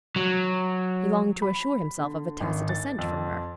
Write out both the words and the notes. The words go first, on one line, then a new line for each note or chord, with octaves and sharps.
He longed to assure himself of a tacit assent from her.
F#3
B5
D3
G#1
A6
F2